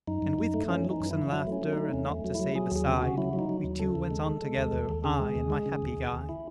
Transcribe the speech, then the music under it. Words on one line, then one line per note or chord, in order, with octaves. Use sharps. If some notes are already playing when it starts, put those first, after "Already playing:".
And with kind looks and laughter And nought to say beside We two went on together, I and my happy guide.
F#2 D#4
F#2
F#2
A3
E3 C#4
E3
D#4
F#2
E4
E3
F#3 E4
A3
C#4
F#3
C#4
A3 D#4
E2 C#4
A3
F#3
E4
F#3
F#3 G#4
D#2 G#4
C#3
F#4
C#3
F#3 E4
F#3
D#4
F#3
D#2
C#3 A4
D#2
G#3
G#3
G#3
D#2
D#2
D#2
C#3 G#4
G#3
D#2
G#3
C#3
D#2
D#2
D#2
E4